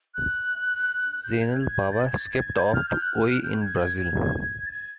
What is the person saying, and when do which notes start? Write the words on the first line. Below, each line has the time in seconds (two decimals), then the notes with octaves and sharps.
Zeinal Bava skipped off to Oi in Brazil.
0.14 F#6
1.23 G6
1.41 G#6
1.60 G#6
1.78 G6
1.92 A6
2.06 G#6
2.20 A6
2.33 G#6
2.47 G#6
2.55 G6
2.61 G#6
2.74 F6
2.88 G6
3.02 F#6
3.15 F6
3.29 F#6
3.43 G6
3.61 G#6
3.80 G#6
4.66 A6
4.71 G#6